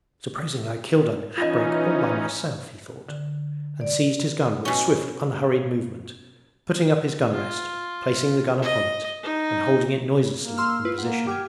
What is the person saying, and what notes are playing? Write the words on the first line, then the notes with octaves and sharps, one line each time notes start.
'Supposing I killed an abrek all by myself!' he thought, and seized his gun with a swift, unhurried movement, putting up his gun-rest, placing the gun upon it, and holding it noiselessly in position.
E3 C#4 D#4 F4 D#5
D3
D5
B2 C#4
F4
D#5
D#4
A#3
C6 E6 F6
E4 F4 B4
A#3 F#5
G4 D6 F6 G#6